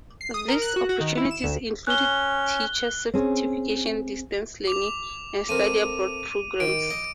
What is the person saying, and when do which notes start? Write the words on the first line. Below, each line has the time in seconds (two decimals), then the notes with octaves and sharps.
These opportunities include teacher certification, distance learning, and study abroad programs.
0.21 C7
0.34 D#6
0.48 A#4
0.62 F#6
0.76 F#4
0.89 F#4
1.00 D#3
1.17 E4
1.31 E7
1.44 D2
1.87 C#4 F#6 G7
3.14 C4 C#4 G#4
4.67 D6 F7
5.49 A3 C4 A#4 D#7
6.60 D#3 D7
6.90 D#5